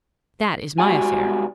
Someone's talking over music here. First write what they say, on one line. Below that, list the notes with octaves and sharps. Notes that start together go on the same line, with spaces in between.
'That is my affair.
C2 G#3 F#4 G4 D5 G#5